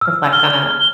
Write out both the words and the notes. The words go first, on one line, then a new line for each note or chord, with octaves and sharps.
reflect on a
E6 F6
F6 G7
G7